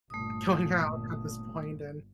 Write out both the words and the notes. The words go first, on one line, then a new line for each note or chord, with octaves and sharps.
going out at this point and"
G1 A#2 A3 D#6